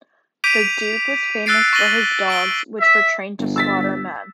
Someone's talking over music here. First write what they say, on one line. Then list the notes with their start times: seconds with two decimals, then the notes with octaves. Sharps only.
The duke was famous for his dogs, which were trained to slaughter men.
0.44 D6 G6 B6 D7 D#7 F7
1.46 E6 F#6 A6 C7 D7
1.73 C#6 A6 A#6 D#7 F#7 G7
2.28 C#6 D7 G7
2.79 E5
3.39 G1
3.56 E6 A6 B6